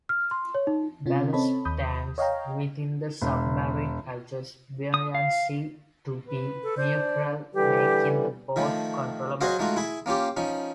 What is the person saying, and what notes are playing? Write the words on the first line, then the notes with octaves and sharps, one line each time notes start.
Ballast tanks within the submarine adjust buoyancy to be neutral, making the boat controllable.
F6
C6
C#5
D#4
C3 C#4 F4
C4 A4 C#5 D#5 A5 B5
D#2 B5 D#6 G6
C#5 D#5 F5 G5 A#5
E1
D#6
F5
B4
A4
D4 C5 D5
D3 E3 G3 G4
D#3 F3 A3
F#3 F#4 G#4 C5 D#5 F5
G#3 A3 D#4 F4 F#4
E4 G#4 B5
A#3 C#4 F4 G4
F3 C#4 D#4